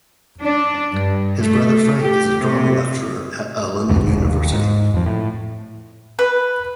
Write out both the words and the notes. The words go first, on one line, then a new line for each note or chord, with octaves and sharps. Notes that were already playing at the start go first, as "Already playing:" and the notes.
His brother, Frank, is a drama lecturer at a London university.
D4
G2
A3
G4
C3
B1 E2 G2 D3
E1 C2
D#2
G#2
F2 F3
A2
B4